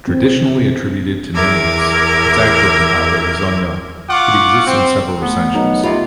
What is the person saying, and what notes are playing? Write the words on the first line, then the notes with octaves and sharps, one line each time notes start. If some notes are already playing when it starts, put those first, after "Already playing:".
Traditionally attributed to Nennius, its actual compiler is unknown; it exists in several recensions.
C4
E2 A#4 E5 D6 G#6
F4 F#5 C#6 D6
C4
A3 B3
B1 A#4 D#5 A#5
C3 F4 D#5 F5 B5